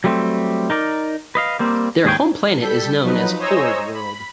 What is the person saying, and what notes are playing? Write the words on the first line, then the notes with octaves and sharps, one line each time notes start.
Their home planet is known as Horde World.
F#3 G3 A3 C4
D#4 A#4 D5
B4 D#5 F5
G3 A#3 C4
D#2 G#2 G#4 C#5 G5
G3 A4 G6 B6
F3 F#3 D#4 B4
C5 C#5 D#5 G#5 A#5 E6
B5